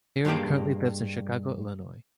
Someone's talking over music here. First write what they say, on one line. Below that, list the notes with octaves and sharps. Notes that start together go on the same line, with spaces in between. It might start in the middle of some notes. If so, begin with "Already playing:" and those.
Thayer currently lives in Chicago, Illinois.
G2 G#3 A#3 G4 D5